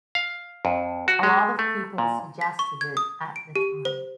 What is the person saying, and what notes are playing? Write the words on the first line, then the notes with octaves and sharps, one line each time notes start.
A lot of people suggested it at the time.
F5
F2
F#4
G#3
A3
A#2
B6
C#6
G#6
D#6
D7
G4
C5